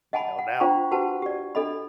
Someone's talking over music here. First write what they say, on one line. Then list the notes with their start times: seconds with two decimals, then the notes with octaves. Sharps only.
You know, now,
0.13 D#5 F#5 G#5 A5 B5
0.39 F#5
0.60 D4 F4 C5 G5 A#5 C#6
0.91 F#4 G4 B4 C5 F#5 A5
1.22 G4 D5
1.55 D4 A4 D#5 B5